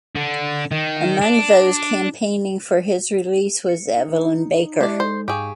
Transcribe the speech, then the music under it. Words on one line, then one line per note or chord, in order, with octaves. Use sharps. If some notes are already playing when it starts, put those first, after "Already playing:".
Among those campaigning for his release was Evelyn Baker.
D3
D#3
D4
C#7
D#4
G#3 D4 E4 G4 D5 E5
D#4 A4 C5
G#2 G4 G#4 F5 C#6